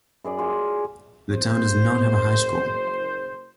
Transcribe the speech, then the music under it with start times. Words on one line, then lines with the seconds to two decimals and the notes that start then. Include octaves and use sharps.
The town does not have a high school.
0.24 F#2 G#4 D5
0.38 F4 G#4
1.32 F#1 C5